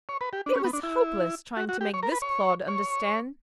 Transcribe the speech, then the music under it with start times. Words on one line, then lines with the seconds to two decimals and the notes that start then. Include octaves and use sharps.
It was hopeless trying to make this clod understand.
0.09 C#5
0.21 B4
0.33 G4
0.46 D4
0.55 C#4
0.64 B3
0.73 D4
0.83 E4
1.57 F#4
1.69 F#4
1.81 G4
1.94 C#5
2.03 A#4
2.12 B4
2.22 C#5
2.68 C#5